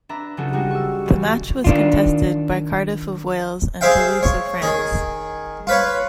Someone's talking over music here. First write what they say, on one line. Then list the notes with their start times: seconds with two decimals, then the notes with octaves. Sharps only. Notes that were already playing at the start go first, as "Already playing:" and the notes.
The match was contested by Cardiff of Wales and Toulouse of France.
0.09 D4 B4 E5 A#5
0.37 C#3 F#3 D4 F4 F#4 A4
0.53 G3 G#3 D#4 F4 F#4
0.71 C#6 E6
1.06 E1
1.64 D#3 D4 F4
3.81 G#4 C5 E5 F5 G5
4.23 C#5
4.62 D#3 G#4
5.67 F4 B4 C#5